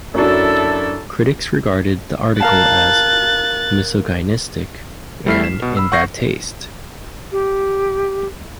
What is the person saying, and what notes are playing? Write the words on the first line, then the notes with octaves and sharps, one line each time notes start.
Critics regarded the article as misogynistic and in bad taste.
F#2 F#3 D4 E4 A4
A#4 F5 A5 F#6 A6
G3 A3 E4 F6 B6 C7
E7
B2
B5 E6
F#5 C#6 G6 A#6 C7
G4